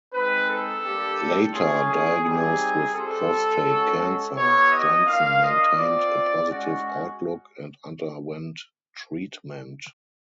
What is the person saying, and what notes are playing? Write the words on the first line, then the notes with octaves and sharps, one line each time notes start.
Later diagnosed with prostate cancer, Johnson maintained a positive outlook and underwent treatment.
G#3 C4 D#4 B4
A4
G3 A#3 D4 G4
A3 C#4 F4 G#4
G#4
G3 C4 D#4 G4 G#4
G3 C4 F4 A4
G#3 C#4 F#4
B3 E4 G4 C#5
D#5
A#3 D4 F4 F5
D#5
C4 F4 D5
G#3 C#4 F#4